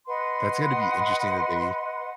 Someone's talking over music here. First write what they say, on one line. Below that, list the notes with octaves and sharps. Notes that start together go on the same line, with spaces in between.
That's gonna be interesting that they
B4 D#5 F#5 C6